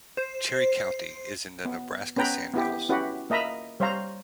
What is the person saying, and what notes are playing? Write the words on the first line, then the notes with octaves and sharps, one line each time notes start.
Cherry County is in the Nebraska Sandhills.
C5
B3
B3 C#4 B4 G5 A#5
B3 E4 G4
C#4 E4 F#4 G4 B4
A#3 D#5 E5 A#5 B5
G3 C5 C#5 F5 A#5